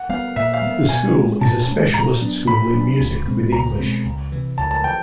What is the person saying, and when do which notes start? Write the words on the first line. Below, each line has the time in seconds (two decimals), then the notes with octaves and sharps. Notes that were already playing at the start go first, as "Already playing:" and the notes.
The school is a specialist school in Music with English.
Already playing: F#5
0.09 G3 B3 F5
0.36 A#2 E5
0.53 F5
0.62 G3 B3
0.89 B2 G#5
1.15 G#3 C#4
1.41 B2 A5
1.68 G#3 C#4
1.94 A#2 A#5
2.21 F#3 B3 D4
2.47 A#2 B5
2.73 F#3 B3 D4
3.00 C#2
3.26 B2 G#3 C4
3.52 C#2 A#5
3.79 B2 G#3 C4
4.05 C#2
4.32 C3 E3
4.58 C#2 A5
4.71 A5
4.84 E3 G5